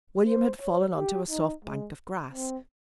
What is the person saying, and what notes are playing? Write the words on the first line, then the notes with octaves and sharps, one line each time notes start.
William had fallen on to a soft bank of grass.
C5
C#5
G4
D#4
G#3
C4